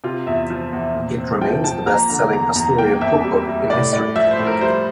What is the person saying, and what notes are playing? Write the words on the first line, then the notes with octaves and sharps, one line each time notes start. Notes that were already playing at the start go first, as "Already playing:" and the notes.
It remains the best selling Asturian cookbook in history.
C3 F4
E2 E5
F3
E2
A#2
C4
F3 G5
F3 A5
A#3 A#5
D3 A#5
E2 A#5
E2 A#5
A#3 G5
F2 E5
G3
G3
A2 D5
A2 D5
F3 E5
C5
A2
A#4
G3 C5